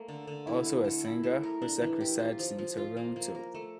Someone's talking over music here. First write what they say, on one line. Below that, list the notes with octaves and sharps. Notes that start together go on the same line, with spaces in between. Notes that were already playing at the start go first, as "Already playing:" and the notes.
Also a singer, Hossack resides in Toronto.
Already playing: A3 A#3
D3
D3
E4
A3
A3
E4
A3
A#4
D4
E3
G4
F4
F3
F3
F4
A#3
A#3
A#4
A3